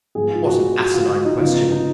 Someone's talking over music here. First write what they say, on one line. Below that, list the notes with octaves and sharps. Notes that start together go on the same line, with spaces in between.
"What an asinine question!"
G#2 F3 B3 G#4
F4
F#4
F#4
F4
F4
D#4
C#3 F3 B3 F4
D#4
D#4